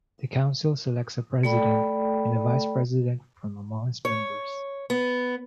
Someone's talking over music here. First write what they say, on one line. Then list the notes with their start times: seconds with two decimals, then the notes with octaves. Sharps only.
The Council selects a President and a Vice President from among its members.
1.43 A3 A4 D5 G5 B5
4.05 C#5
4.90 B3